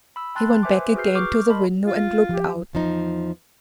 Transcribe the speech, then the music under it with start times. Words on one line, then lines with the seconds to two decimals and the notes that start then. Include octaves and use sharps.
He went back again to the window and looked out.
0.16 B5 E6
0.35 G5 A5 C6 F#6 A6
0.63 B4 C5 E5 G#5 C6 D6
0.95 F#4 G#4 B4 F6 G6 C7
1.15 C#6 D6 F6 G6
1.47 A#4 D#5 A5 B5 C6
1.86 F4
2.29 F3 G4
2.73 E2 F3 D#4